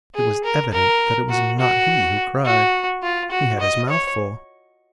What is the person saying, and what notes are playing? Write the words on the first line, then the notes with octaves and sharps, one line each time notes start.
It was evident that it was not he who cried. He had his mouth full.
G#4
A#4
A#4
F#4
F#4
F#4
F4
F#4
D#5
C#5